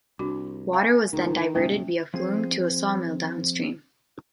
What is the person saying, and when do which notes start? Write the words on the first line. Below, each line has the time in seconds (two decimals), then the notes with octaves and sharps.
Water was then diverted via flume to a sawmill downstream.
0.19 C2 D4 F#4
0.73 F5 G#5
1.13 C#2 A2 D#3
1.55 F#1 B2 G3 G#3 A#3 C#4
2.14 F3 C4 G#4 C5